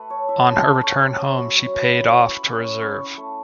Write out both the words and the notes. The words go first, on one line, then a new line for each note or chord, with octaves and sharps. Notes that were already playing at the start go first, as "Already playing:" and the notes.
On her return home she paid off to reserve.
Already playing: A3 A4 B4
C#5
E4 E5
A5
C#4 B5
C#6
C#4 B5
E6
F#3 C#6
E5
C#5
C#4 B4
E4 C#6
B5
C#6
C#4 E6
C#6
C#4 C#6
C#6
A3